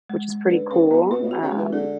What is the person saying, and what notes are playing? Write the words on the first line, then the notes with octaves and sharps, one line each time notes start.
which is pretty cool. Um,
G#3
G#3
D3 B4
C#3 B4
B2 B3
B2 B4
A2
B2
F#4
C#3
G#3
E3
D3 G#4